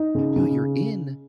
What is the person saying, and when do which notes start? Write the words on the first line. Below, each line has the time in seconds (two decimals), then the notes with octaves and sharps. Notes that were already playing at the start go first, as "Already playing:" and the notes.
yo, you're in
Already playing: D#4
0.15 C#3
0.36 C#3